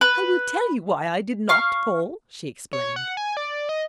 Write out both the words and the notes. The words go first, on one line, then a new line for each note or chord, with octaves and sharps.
"I will tell you why I did not, Paul," she explained.
B4
F5 C#6 F6
C#5
F#5
G#5
D5
D#5